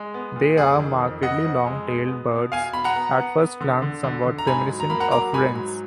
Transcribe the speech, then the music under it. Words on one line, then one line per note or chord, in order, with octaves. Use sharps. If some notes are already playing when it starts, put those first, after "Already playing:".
They are markedly long-tailed birds, at first glance somewhat reminiscent of wrens.
Already playing: G#3
B3
A#2
F2 G#4
D#3
F2
B3 D#5 F#5
F2
G#3
B2
B3
B2
B2 F5 G#5
B2 B5
F#5 A#5
B3
B3
B3
D3
D3
D3
D3
A#5
G#2 G#5 B5
F#3
A#5
A#3 B5
F#5 A#5
F#3 A#5 D6
G#2 G#5 B5
F#3